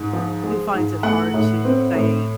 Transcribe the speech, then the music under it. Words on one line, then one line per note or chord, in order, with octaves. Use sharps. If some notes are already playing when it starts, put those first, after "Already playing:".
who finds it hard to say,
Already playing: G#2
F3
G#3
G#2
A3 F#5
A2
C4
A2